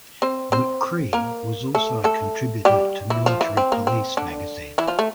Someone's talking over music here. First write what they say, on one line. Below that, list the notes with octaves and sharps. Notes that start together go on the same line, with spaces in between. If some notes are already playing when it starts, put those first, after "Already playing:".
McCree was also a contributor to "Military Police" magazine.
C4 C5
C4 C5
A#3 A#4
A3 A4
A3 A4
G3 G4
E3 E4
F3 F4
E3 E4
C4
A#3
C4
D3 D4
E3 E4
F3 F4
A3